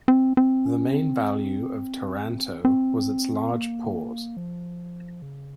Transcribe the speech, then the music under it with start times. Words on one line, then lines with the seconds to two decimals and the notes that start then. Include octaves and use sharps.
The main value of Taranto was its large port.
0.08 C4
0.37 C4
0.66 C#4
0.94 C4
2.65 C4
3.52 A#3
4.37 F3
5.22 C#3